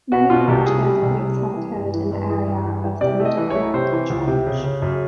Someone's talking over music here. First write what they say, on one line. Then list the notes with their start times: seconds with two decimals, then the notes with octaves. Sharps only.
Many large earthquakes have occurred in the area of the Middle America Trench.
0.12 B2 F#4
0.30 B2 F4
0.48 C2 G4
0.66 G3 G#4
0.84 G3
1.03 C2
1.20 G3
1.38 G3
1.56 E3
1.75 G2
1.94 E3
2.11 G2
2.29 E3 G#4
2.48 G2
2.65 E3
2.83 E3
3.01 C3 D5
3.20 A3
3.25 D#5
3.37 E3
3.50 C#5
3.56 A3
3.74 C3 C5
3.92 E3
4.10 C#2
4.28 C3
4.47 C#3
4.64 C#3
4.82 F#2